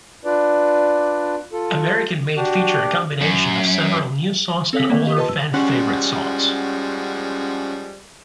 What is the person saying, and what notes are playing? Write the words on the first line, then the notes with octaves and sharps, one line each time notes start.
American Made featured a combination of several new songs and older fan-favorite songs.
D4 F4 B4 D5
F4 A4
D4 F#4 G4
F#2
C4 A4 C#5 F5 B6
A3 A#3
D#3 G4 D#5 F5
F4 B4 D#5 A5 C6
E6
F3 G3 G#3 C#4 F#5 C6